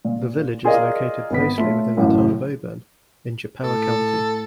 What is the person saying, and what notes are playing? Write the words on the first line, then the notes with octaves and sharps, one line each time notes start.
The village is located mostly within the Town of Auburn in Chippewa County.
A#2
F4 G#4 A#4 D5 D#5 F5
G#1 B3 B6
A3 F4 C#5
A1 F#2 A2
A2 A4